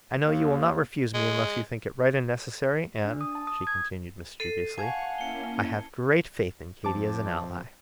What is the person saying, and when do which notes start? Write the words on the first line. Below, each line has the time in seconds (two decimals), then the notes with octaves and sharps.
I know you will not refuse me unless you think it right and necessary; and," she continued mischievously, "I have great faith in Katy as an ally.
0.22 D#2
1.15 G#3
3.05 D4
3.21 D#6
3.35 A5
3.47 D#6
3.67 G#6
4.40 A4 C7 D#7
4.78 F5 F#5 G#5 A5 C#6 G#6
5.18 A#3 C#4 E4 C#7 G7
6.84 F2 A5 D6